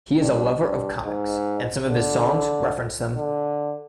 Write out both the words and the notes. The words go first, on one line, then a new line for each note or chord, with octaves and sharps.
He is a lover of comics, and some of his songs reference them.
G2
G2
G#2
D3
D3